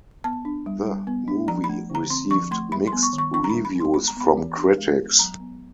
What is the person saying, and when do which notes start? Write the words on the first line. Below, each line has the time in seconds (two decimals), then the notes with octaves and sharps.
The movie received mixed reviews from critics.
0.24 B3 A5
0.45 D4
0.66 G3
0.86 G3
1.07 B3
1.28 D4
1.48 F3 A#5
1.64 B5
1.69 A3
1.90 D3 A#5
2.10 C4 C6
2.31 F3 C#6
2.51 A3 C6
2.72 G3 B5
2.87 C6
2.93 B3
3.03 C#6
3.13 D#3
3.18 C#6
3.34 D4 C#6
3.44 A#5
3.50 B5
3.54 G3
3.65 B5
3.75 B3
3.80 C6
3.94 G#3 B5
4.08 A#5
4.17 B3 B5
4.37 E3
4.57 D4
4.78 G#3
4.99 B3
5.19 F#3 A#5
5.40 B3